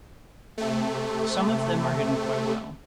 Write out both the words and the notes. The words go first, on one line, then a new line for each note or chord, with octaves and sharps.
Some of them are hidden quite well.
C3 A3